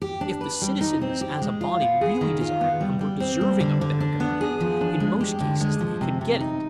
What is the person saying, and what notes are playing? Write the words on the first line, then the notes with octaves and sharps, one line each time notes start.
If the citizens as a body really desired and were deserving of better government, in most cases they could get it.
G4
D4
B4
G3
D#4
C4
G4
G#3
F4
B3
G#4
D#3
F4
B3
G3
G3
C4
G3
D3
D3
D4
B3
G#4
F3
D4
G#3
G4
D3
G#3
F3
C3
C3
D#4